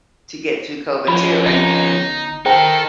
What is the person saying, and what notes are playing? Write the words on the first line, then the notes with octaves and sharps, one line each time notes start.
to get through COVID, too, and
F3 C#4 B5
G1 D#4
D#3 D#4 A4 C5 G5 A5